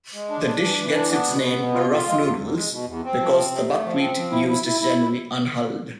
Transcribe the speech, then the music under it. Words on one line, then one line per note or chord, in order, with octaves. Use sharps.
The dish gets its name "rough noodles" because the buckwheat used is generally unhulled.
G#3
D4
D4
E3
E3
D4
B3
B2
B3
B2
F4
F4
G#3
E2
E2
G#3
B2
E2
C4
F3
C4
C3
A3
F3
C4
F3
E4
E4
E4
E4